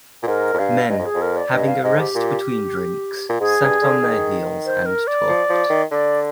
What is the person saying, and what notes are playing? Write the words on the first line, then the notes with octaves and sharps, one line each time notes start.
Men, having a rest between drinks, sat on their heels and talked.
A#2
G#2 A#4
F2
G2 F5
G2 D#5
F2
G#4
F2
A#4
D5
G2 D#5
F5
G#2 D#5
G4
A#2
A#2
G#2 G#4
G2
D3
D#3
C5
A#4
D5
F3
F3
D#3
D3 D5